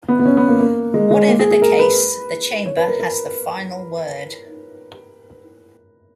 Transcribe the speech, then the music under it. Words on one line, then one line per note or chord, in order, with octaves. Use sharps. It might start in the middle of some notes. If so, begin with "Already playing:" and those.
Whatever the case, the Chamber has the final word.
B3
B3
C#4
B3
A#3
A#3
G#3
G#3
A#3
G#4
G#4
A#4
B4
C#5
B4
A#4
A#4